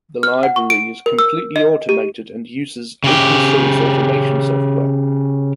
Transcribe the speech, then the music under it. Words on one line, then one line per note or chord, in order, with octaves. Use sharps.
The library is completely automated and uses open source automation software.
F6
F#5
C#6
D7
A#4
E6
D#5
G4
C#3 G4